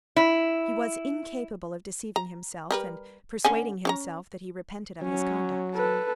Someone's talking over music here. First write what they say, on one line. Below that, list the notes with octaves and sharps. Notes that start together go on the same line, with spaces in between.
He was incapable of deceiving himself and persuading himself that he repented of his conduct.
E4
A#5
G3 A#4 B4
D3 C#4 G#5
C#4 C#5 A#5
F#3 C#4
A4 B4